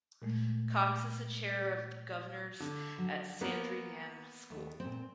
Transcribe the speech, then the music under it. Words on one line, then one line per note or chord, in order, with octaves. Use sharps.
Cox is the Chair of Governors at Sandringham School.
A#2 G#3 A3
D3 A4
F#3
A#3 B3 A#5
D#2 A3
A#2 C4